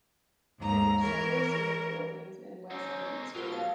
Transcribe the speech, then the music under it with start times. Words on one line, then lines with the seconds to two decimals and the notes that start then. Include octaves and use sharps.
There are several civic buildings in West Newton Square.
0.58 D#2 G#2 A#5
1.01 E3 A#4 C#5
2.70 C4 C#4 D#4
3.35 B2 F#3 F4 G4 A#4 C5
3.52 F5 A5